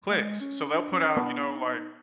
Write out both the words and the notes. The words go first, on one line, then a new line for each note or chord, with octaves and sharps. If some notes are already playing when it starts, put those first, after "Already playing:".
clicks, so, they'll put out, you know, like,
A3
G#3
C#4
D4
C#4
B3 D4
D#4